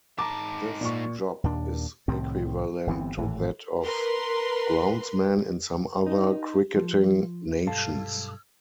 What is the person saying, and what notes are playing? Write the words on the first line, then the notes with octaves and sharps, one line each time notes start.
This job is equivalent to that of groundsman in some other cricketing nations.
G#2 A5 A#5 D6
A#2 C#6
D#2 A#2 D4
C2 A2 D#3 C4
G1 E3 B3 C4
G#1 A2 E3
A#4 B4 C6
D#4
F3
B1 G2 A4 F5 A5